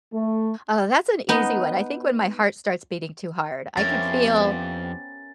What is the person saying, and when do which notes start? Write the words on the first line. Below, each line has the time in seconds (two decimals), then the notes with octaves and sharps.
Oh, that's an easy one, I think when my heart starts beating too hard, I can feel,
0.13 A3
1.29 B3 D#4
3.77 F2 B3 C#4 E4 G4 A#4 C5 A6